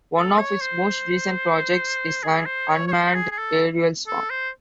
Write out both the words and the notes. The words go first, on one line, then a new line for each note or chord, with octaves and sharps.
One of its most recent projects is an unmanned aerial 'swarm'.
A4
C#5
C5
G#4
C5
C#5
C#5
C5
G#4
G#4
A4
A4
C5